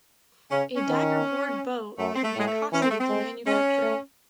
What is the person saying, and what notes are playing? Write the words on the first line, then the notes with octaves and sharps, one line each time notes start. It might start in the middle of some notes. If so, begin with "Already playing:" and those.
A daggerboard boat can be costly to manufacture.
C#3 C#4
C#4
D#3
F#2 A3
C4
A3
A2 G#3
A3
E3 C#4
C4
A3
C4
G#3
G#3 C#4
A3